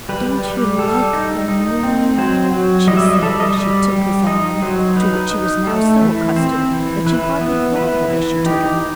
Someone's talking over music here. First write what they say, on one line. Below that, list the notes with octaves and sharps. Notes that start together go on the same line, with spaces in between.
"Don't you like the moon?" she said, as she took his arm, to which she was now so accustomed that she hardly thought of it as she took it.
G3 B4
G3
G3 A4
D#4
D#4
C4
F#3 C5
F#3
G3 D#5
E5
D#5
G3 A4
D#5
G3
G3
D#4 D#5
F#3 C5
D#4 B4
D#4
A3 A4
E3
C4 C5
E3
E3 B4
B3
E3 B4
E3
D#4 G4